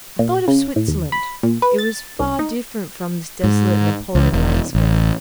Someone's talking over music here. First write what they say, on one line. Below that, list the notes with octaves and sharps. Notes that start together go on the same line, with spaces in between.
I thought of Switzerland; it was far different from this desolate and appalling landscape.
A#2
C#3
A2
D#2
B5
A#2
B4
A6
C2
D#4
G#2
C#2
E1
A1